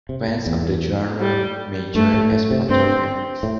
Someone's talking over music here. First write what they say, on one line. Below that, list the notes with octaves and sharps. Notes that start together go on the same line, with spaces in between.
Fans of the genre may join as patron members.
C3
A2
E2
G3
G2 A3
A2
A2
C3
G2 C4
A2